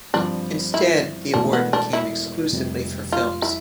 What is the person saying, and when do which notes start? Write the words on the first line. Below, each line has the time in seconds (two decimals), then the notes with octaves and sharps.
Instead the award became exclusively for films.
0.14 G2 F3 C4 D4 F4
0.74 E4
1.33 E1 E2 B2 A3 D4
1.53 B3
1.73 D4
1.93 E4
2.52 F1 F2 C3 G3
3.12 F4
3.42 E4